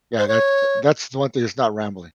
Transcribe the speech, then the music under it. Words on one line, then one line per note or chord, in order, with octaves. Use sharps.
Yeah, that that's the one thing that's not rambling.
C5
C#5